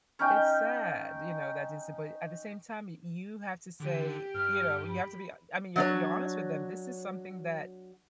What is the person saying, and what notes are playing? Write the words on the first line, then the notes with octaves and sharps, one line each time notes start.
it's sad, you know, that it's but at the same time, y you have to say, you know, you have to be I mean, you're you're honest with them, this is something that
C#4 D#4 G5
D3 G4
G2 F6
B5
F#3 D4 C#5